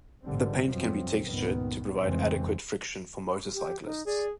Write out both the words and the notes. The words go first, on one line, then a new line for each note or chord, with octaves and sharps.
The paint can be textured to provide adequate friction for motorcyclists.
A1 G#2 D3 G3 C4
G1 F2 B2 F3 F#3 C4
C#2 G2 A#2 D#3 B3
F1 F2 C#3 E3 G#3 C4
G4
D#4
G#4 D5